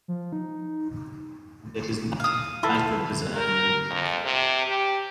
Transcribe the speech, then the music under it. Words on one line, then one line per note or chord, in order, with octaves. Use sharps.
There is nothing I could desire more.
F3
D#4
F5 D#6
E4 F4 A4 B4
A#4
F2
C3
G4